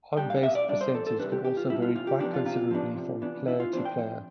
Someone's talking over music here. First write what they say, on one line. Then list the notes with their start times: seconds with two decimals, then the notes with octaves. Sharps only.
On-base percentage can also vary quite considerably from player to player.
0.17 G3 D4 G5
0.30 F5
0.43 B2 E5
0.55 D5
0.68 G3 D4 D5
0.81 C5
0.94 E2 A4
1.07 A4
1.19 C3 G3 D4 B4
1.32 G4
1.44 E2 G4
1.57 F4
1.69 C3 G3 D4 E4
1.82 F4
1.95 C3 F4
2.07 G4
2.20 F3 B3 D4 G4
2.34 F4
2.46 C3 F4
2.71 F3 B3 D4
2.97 C3
3.22 E3 B3 D4
3.47 C3 E4
3.60 F4
3.73 E3 B3 D4 C5
3.85 G5
3.98 F2